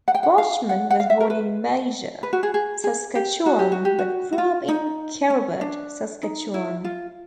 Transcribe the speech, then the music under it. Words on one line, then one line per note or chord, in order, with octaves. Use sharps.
Boschman was born in Major, Saskatchewan, but grew up in Kerrobert, Saskatchewan.
F#5
G5
F#5
F5
F#5
F#5
F5
E5
A#4
B4
B4
F#4
G#4
G#4
G#4
G4
F#4
G4
F#4
G4
F#4
F#4
F4
D#4
C#4
D4
D#4
E4
F4